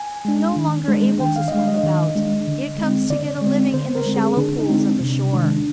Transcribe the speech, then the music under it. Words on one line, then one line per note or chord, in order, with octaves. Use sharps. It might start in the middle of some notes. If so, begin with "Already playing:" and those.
No longer able to swim about, it comes to get a living in the shallow pools of the shore.
Already playing: G#5
G#3 D4
D#3
G#3 D4
D#3 G5
F5
D#5
G#3 D4 F5
D#5
D#3
G#3 D4
D3
G#3 C4
D3 D5
G#3 C4
D3 C5
A#4
G#3 C4
G#4
D3 D4
D#4
G#3 C4
D4
C3
D#3 G#3 D4